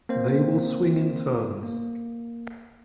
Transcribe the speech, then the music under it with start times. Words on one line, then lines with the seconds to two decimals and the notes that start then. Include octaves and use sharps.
They will swing in turns.
0.09 A#3 C4 C5
1.63 A#3